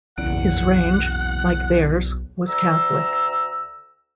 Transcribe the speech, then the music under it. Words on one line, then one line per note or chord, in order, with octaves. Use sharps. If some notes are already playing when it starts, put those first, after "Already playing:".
His range, like theirs, was catholic.
F#1 B1 E2 F#5 D7
D2 A#5 E6